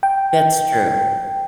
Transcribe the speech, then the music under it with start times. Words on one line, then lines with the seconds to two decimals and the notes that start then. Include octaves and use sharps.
That's true.
0.03 G5